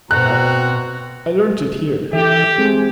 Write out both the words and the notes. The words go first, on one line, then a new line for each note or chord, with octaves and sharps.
I-I learnt it here.
B2 C4 F#4 A#5 F#6
E3 G4 A4 E5
G#3 C4 G#4